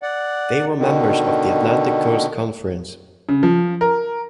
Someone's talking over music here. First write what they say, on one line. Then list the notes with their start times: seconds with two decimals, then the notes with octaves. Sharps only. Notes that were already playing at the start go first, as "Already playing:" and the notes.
They were members of the Atlantic Coast Conference.
0.03 D5 F#5
0.77 B2 D3 D#3
3.29 C#3
3.43 F3
3.81 A#4